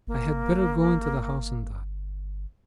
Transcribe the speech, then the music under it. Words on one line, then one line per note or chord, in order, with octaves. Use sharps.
I had better go into the house and die.
G1 A#3